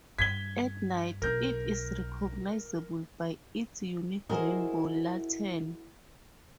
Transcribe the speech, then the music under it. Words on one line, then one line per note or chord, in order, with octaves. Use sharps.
At night, it is recognizable by its unique rainbow lantern.
G2 G#6 B6 G7
B1 A#4 G6
E4 F#4 G#4 A#4 C5 D#5